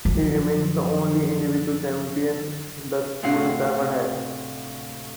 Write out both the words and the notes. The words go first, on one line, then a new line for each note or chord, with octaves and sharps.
He remains the only individual champion the school has ever had.
F#2 F3
D2 A2 C3 F5 F#5 F#6